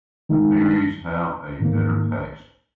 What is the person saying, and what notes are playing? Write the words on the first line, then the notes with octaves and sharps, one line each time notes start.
The berries have a bitter taste.
D#3 G#3 D#4
G#2 D#3 A#3